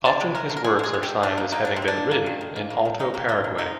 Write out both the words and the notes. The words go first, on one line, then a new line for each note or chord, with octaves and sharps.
Often his works are signed as having been written in Alto Paraguay.
D3 D5
G#3
G#3 A#4
D3
A#4
D3 G#4
G#3 G#4
G#3
G4
D3
D#3 D4
A#3
A#3 D#4
D#3 D4
C4
D#3
D4
A#3
A#3
D#3
D#3
A#3
A#3
D#3
D#3 D#4
A#3 G4
A#3 F4
D#3
C3 D#4